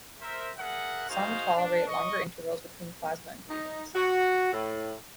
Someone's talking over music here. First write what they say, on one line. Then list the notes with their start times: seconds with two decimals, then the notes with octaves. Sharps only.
Some tolerate longer intervals between plasma infusions.
0.21 A#4 C5 E5
0.58 G#4 A#4 E5 F#5
1.10 A#3 D#4 F#4 G#4 C5 F5
1.55 D4
1.88 D#5 C#6
3.48 D#4
3.94 F#4
4.52 A2